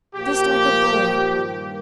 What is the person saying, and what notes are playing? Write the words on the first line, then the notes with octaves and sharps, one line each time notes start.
Just like a boy!
A#2 F3 A#3 G4
G2 D#3 G3 A#3